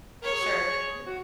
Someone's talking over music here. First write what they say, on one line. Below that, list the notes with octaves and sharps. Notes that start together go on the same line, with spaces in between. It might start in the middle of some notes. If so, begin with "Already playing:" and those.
Sure, yep.
A#4 C#5
G#4
F#4
G#4
F#4